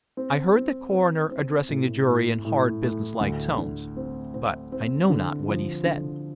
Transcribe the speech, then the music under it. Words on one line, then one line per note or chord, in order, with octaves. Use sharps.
I heard the Coroner addressing the jury in hard, business-like tones, but I know not what he said.
C4
C4
C4
C4
A2
A2
A2
A2
D2
D3
C4
C4
C4
D3
F3
D3